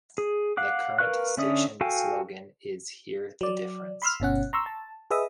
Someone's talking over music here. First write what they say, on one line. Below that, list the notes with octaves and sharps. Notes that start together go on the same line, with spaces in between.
The current station slogan is "Hear the Difference".
G#4
F5 F#5 D6
A#4 B4 F5 C#6 F#6
D3 C#4 D5 E5 D#6
F#4 A4 F5 G5 G#5
F#3 D5
B5 C6 E6 F6
G1 B2 C#4 F#5
A#5 C6 C#6 E6
A5
G#4 B4 D#5 E5 D#6